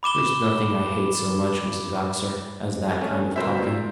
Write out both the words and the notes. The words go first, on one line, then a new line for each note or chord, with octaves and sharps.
There's nothing I hate so much, Miss Vavasor, as that kind of talking.
B5 D6 E7 G7
A3 C#4
G1 C#2 B2 A#4 C5 E5
A#2